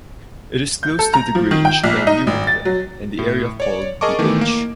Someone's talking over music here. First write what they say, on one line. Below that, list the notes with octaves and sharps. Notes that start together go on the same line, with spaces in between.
It is close to The Grange and Newington and the area called the Inch.
G6
A4
A#5
F3
D#3
G5
A#1
D#4
G#1
A6
F#3
A2
C#5 D5
G#4 A#4 D#5 A5 C#6 D6
D#3 E3 A3 B3
A#3